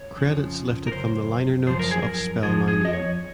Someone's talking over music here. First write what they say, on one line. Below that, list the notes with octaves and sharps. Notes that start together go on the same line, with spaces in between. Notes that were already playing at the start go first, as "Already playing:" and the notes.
Credits lifted from the liner notes of "Spell My Name".
Already playing: C#5
F2 C#3 F3
A#4
F#2 C#3 C5
F#2 C#3 F3 C5
A#4
G#4
A#4
F2 C3 F3 G#4
G#4
D#5
C#5